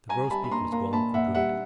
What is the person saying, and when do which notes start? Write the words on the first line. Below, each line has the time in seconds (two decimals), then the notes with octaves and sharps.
The grosbeak was gone for good.
0.09 G3 G#5 A#5
0.31 G3 A5 B5
0.44 B5
0.51 A#2 A#5 C6
0.72 A#3 A#5 C6
0.93 A#2 A5 B5
1.14 A#2 E5 F#5
1.35 G3 E5 F#5